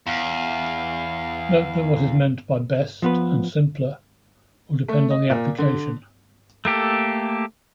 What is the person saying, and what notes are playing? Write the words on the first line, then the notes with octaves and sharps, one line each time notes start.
Note that what is meant by "best" and "simpler" will depend on the application.
E2 F5
F3 B3 B4
A3
D#5
A#2
D3
A3 A#3 G4 A4